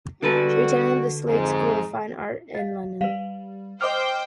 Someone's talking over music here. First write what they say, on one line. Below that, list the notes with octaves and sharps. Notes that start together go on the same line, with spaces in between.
She attended the Slade School of Fine Art in London.
D3 G3 F#4 A4 B4
F2 G#2
D#5 F5
G3 B4 F5
C5 D#5 G5 D6 F6